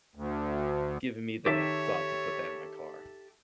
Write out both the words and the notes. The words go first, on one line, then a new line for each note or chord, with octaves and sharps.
given me the thought to put that in my car.
D2
D#3 G4 A4 C#5 E5